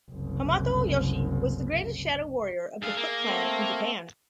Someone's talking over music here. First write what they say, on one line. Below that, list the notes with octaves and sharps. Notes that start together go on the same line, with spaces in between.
Hamato Yoshi was the greatest shadow warrior of the Foot Clan in Japan.
F#1 C2
G2 G#4 F5 E6
A#3
A3 C4 A4